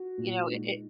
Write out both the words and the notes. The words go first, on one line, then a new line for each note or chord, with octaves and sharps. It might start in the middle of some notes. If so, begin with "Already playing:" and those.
you know? I it
Already playing: F#4
A#2
G#3 D#4